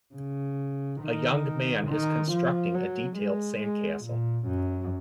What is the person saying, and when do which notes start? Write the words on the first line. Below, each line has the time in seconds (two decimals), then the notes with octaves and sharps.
A young man is constructing a detailed sand castle.
0.15 C#3
1.02 D#3
1.88 D#3
2.32 F3
2.74 F#3
3.17 G#3
3.61 G#3
4.05 A#2
4.47 F#2